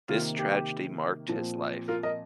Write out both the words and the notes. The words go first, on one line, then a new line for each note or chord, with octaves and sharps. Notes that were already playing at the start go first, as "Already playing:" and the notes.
This tragedy marked his life.
C3 D#3 A#3 F4
G4
A#2 F3 C4
F4 A#4
A#4 D#5